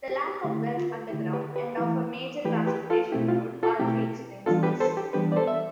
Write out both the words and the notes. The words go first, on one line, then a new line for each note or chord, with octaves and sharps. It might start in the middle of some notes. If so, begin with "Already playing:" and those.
The lack of wealth underground and of a major transportation route partly explains this.
G4
G4
D3 A3 E4 G4
F4
D3 A3 E4 G4
G4 B4
G4 B4
E3 A3 E4
E3 A3 E4 G4 B4
G4 B4
F4 A4
B2 A3 C4 E4 G4
F4
F4 A4
B2 A3 C4 E4 G4
E3 G3 B3 D4 F4 A4
G4 B4
A4 C5
G4
E3 G3 B3 D4 G4 B4
D5
A4 C5
E5